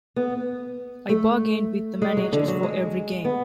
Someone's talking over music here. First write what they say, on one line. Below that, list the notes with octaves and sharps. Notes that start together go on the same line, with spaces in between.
I bargained with the managers for every game.
B3
A3
G#3
F#3
D3
F#3
G#3
B3